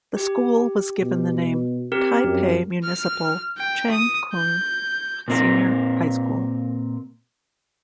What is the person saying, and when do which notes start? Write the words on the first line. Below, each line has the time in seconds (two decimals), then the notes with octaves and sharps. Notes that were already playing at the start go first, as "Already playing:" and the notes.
The school was given the name Taipei Municipal Cheng Kung Senior High School.
0.17 G4
1.02 B2
1.92 C4 G4 A#4
2.25 F#2
2.84 F6
3.57 G5
3.91 D#6
4.33 G6
5.28 A#2 C4 A#4